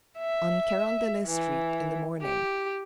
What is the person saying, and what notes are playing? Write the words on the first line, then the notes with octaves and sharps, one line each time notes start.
On Carondelet Street, in the morning.
E5
E3
G4